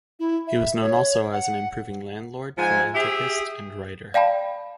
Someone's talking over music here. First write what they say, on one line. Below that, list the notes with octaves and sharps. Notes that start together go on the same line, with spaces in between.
He was known also as an improving landlord, philanthropist and writer.
E4
E5
C#5
F#5
G#2 F3 G#5
G4 G#4 E5
D5 F5 G5 A5 B5